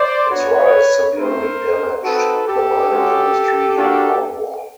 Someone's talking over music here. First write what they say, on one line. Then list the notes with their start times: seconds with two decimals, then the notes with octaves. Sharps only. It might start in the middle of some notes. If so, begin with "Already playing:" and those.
Its rise severely damaged the mining industry in Cornwall.
Already playing: C5 D5
0.30 B3 D4 F#4 B4 C#5
1.17 A3 C4 E4 A#4 C5
2.04 C4 D#4 F#4 A4 B4
2.47 G4 A4
2.92 G#3 C#4 F#4
3.78 A#3 D4 F#4